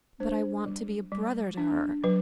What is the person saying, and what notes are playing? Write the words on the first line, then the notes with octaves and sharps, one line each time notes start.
But I want to be a brother to her.
D4 C5
G3
G3
D4
F#3 B4